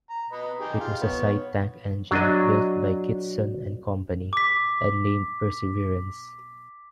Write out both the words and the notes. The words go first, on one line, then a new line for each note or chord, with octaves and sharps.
It was a side tank engine, built by Kitson and Company and named "Perseverance".
A#5
B4 D#5 B5
D#4 G4 G#4
F4
B3 C#5
F#3 D4 D#5
D6 B6